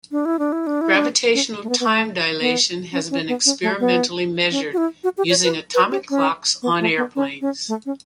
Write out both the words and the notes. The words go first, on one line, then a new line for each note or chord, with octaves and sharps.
Gravitational time dilation has been experimentally measured using atomic clocks on airplanes.
D4
E4
D4
E4
D4
E4
D4
C#4
A3
B3
B3
A3
B3
C#4
C#4
B3
C#4
A3
B3
C#4
F#4
E4
F#4
G4
C#5
B4
B4
G4
C#4
B3
A3
B3
C#4
C#4
A3
C#4